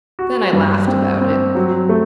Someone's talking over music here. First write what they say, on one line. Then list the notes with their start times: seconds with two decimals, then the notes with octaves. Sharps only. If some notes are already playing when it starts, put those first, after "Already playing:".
Then I laughed about it.
0.19 F#4
0.53 G2
0.88 C4
1.21 C4
1.55 F#3
1.89 A3